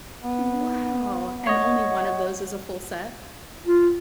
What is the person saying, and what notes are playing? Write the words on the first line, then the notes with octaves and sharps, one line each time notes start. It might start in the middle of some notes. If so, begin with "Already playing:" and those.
Wow! And only one of those is a full set?
B3
C#5 D#5 F#5
F4